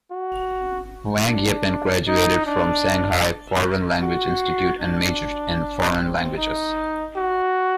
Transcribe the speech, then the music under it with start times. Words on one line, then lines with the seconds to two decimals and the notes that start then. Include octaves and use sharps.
Wang Yeping graduated from Shanghai Foreign Language Institute and majored in foreign languages.
0.11 F#4
1.28 D4
2.07 D#4
2.46 D4
4.02 F#4
4.80 D4
5.98 C4
6.37 D#4
7.16 F#4